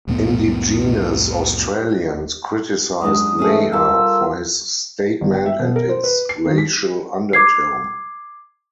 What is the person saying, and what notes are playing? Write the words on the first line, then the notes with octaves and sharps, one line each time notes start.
Indigenous Australians criticised Maher for his statement and its racial undertone.
C2 F2 A2 B3
F#2 G#3 D4 D#6
E3 A3 C#4 D4 G#4
G3 F4 A4 A#4 E6
G1
G5
E5
B2
A#4
C5
B4
C7
D#3
B6
D6 G#6 C7